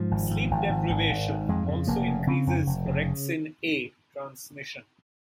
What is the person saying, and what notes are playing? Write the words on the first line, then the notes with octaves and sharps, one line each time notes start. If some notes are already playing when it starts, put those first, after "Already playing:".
Sleep deprivation also increases orexin-A transmission.
Already playing: G#2 F3
G#1
G#2
G#1
G#2
G#1
G#1
G#2
F2 G#3
C#3
F1 A#3
C#3
C#3 C4
F2
F1
C#3